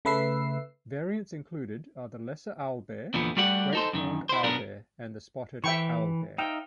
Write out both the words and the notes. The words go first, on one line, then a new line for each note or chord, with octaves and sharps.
Variants included are the lesser owlbear, great horned owlbear and the spotted owlbear.
C#3 A3 B4 E5 E6 C7
E2 A#2 D3 F3 B3
G3 A3 F#4 G4 D5 F#5
D#4 A4 C5
F#2 D#3
E4 C5
B2 F#3 B3 D4 A#4
E3 E5 G5 C#6
D#4 E5 F5 G5